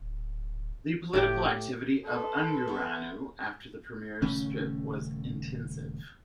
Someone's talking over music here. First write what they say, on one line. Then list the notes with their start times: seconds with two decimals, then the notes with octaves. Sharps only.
The political activity of Ungureanu after the premiersphip was intensive.
0.01 D1
1.13 F#1 A2 G4 G5
2.05 A4 B4 C6
2.68 B3 E5
4.22 D#1 C#3 A3 C#4